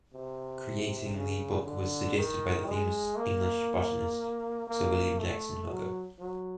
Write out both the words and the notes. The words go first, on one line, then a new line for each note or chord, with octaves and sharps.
Creating the book was suggested by the famous English botanist Sir William Jackson Hooker.
C3
C#3
D3
D#3
G#3
A#3
A#3
A3
F#3
F#3